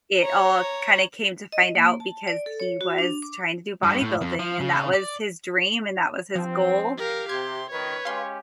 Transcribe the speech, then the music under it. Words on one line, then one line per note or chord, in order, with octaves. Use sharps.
it all kinda came to find out, because he was trying to do bodybuilding; and that was his dream and that was his goal,
C#5 A#5
D#5
A#3
A5
D5
A4
C#5
F#4
D4
D6
G2
A2
F2
F3
C#3
D5
G2 F3 C4
G4 A#4 F5
C3 G4 C6 G#6
C#2 D#3 B4 C#5
G#3 C#4 G4 F5 C6